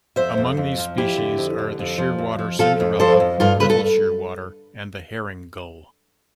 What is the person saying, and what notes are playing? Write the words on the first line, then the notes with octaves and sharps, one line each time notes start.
Among these species are the shearwater Cinderella, little shearwater and the herring gull.
F2 C5 E5
F2
F2
F3
F2 E4 G4
D3
F2
D3
F2
F3
F2
F3
F3 F4 A4
F2
F3 A4 C5
F2
G2 F4 A4
G2 B4
A4